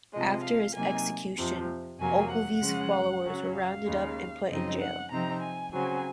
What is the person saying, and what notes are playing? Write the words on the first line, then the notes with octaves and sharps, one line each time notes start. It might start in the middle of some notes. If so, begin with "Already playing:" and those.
After his execution Ogilvie's followers were rounded up and put in jail.
C3 F3 G#3 D#5
F5
C3 F#3 A#3 D#4 G#5
F2 C3 F3
F2 C3 F#3 A#3 G#5
F#5
C#3 F3 G#3 C#4
C#3 F#3 C#4
F5
D#2 C#3 G#3
F#2 C#3 F3 C4 D#4 D#5
F#5
C3 F3 C4 D#4 A#5
G#5
C#3 F#3 C4 G#5